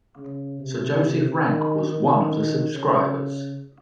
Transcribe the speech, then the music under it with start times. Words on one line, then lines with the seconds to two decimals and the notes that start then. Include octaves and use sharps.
Sir Joseph Rank was one of the subscribers.
0.17 C#3
0.60 C3
1.46 D#3
1.89 D#3
2.74 C#3